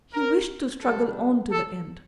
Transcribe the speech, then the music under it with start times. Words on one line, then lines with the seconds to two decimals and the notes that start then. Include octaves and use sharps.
He wished to struggle on to the end.
0.13 A#4
0.81 F2 C3 G3 D4 A4
1.51 A4